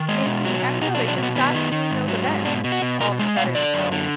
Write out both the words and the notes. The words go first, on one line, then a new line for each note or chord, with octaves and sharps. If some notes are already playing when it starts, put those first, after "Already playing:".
making I don't know, they just stopped doing those events all of a sudden, so,
Already playing: D#3
G#3
B2
F#3
B2
B2 D#4
D4
F#3
D4
B2 B3
D#3 B3
D#3
D#3
G#2
F#3
G#2
B2 D4
B2
F#4
B2
B2 A#4
G#3
B2 F5
D3 D5
F#2
D3